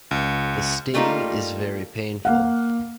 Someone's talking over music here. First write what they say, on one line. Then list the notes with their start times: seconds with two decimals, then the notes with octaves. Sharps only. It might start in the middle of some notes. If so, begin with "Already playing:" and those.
The sting is very painful.
0.11 C#2
0.94 G3 A3 A#3 D4 D#4 F4
2.25 A#3 F5 F#5